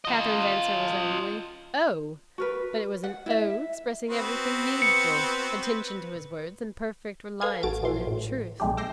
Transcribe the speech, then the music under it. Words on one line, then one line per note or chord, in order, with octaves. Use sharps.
Catherine's answer was only "Oh!"--but it was an "Oh!" expressing everything needful: attention to his words, and perfect reliance on their truth.
F4 D#5
F#4 A#4 B4
F#5
E4 E5
B3 C4 F#4 B4
C#7
A4 B4 F5 G#5 G#6
A1 F#4 A4 A6 D7
A#2 E3 F#3 C6
A2
B1 B2 G#3 A3 D4 G4
D6 E6 G6 A#6 C7